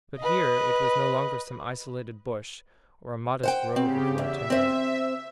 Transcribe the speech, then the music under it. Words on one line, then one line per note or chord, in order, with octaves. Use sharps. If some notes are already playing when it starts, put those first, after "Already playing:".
But here it was no longer some isolated bush or a modest grove of low timber.
B4 D#5
C5 F#5 G5
C#3 C4 G4
E2 E5
C4 C5